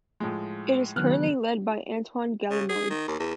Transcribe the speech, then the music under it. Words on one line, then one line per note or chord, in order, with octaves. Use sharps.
It is currently led by Antoine Gallimard.
A2 F3 G#3
D2 D#3 F#3 B3 F6 F#6
C#3
C#3
G#4
D#3
D#2
E2